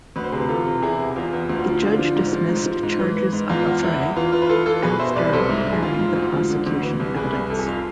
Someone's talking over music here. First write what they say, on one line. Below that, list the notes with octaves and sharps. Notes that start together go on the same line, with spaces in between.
The judge dismissed charges of affray after hearing the prosecution evidence.
D2 B4
C5
C3 G#4 B4
E3 F4 A4
C3
E2 E4 G#4
C3
E2 F4
E2
D2 F4
F3
D3 F4
F3
G#2
F3
G#2
F3
G#2
E3
E3
G#2
E2 F4
E2
E2 E4
E2
E3 F4
E3 F4
B4
E3 F4 A4
E3 F4 A4
B2 G#4 B4
B2 C5 E5
C2 B4 D5
C2 A4 C5
G#2 E4
G#2
G#4
F3 F4
G#2
D2
F3
D3
D2
E3
C2
C2 G#4 B4
C2
F2 A4
G#4
F2 F4